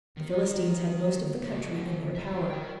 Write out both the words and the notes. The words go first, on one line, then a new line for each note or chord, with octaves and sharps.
The Philistines had most of the country in their power.
D#3
C#3 A3
F4 E5
A#4 G5